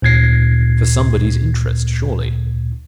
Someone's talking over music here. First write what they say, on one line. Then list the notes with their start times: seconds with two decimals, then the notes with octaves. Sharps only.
For somebody's interest, surely.
0.02 D2 A#2 G#6 C7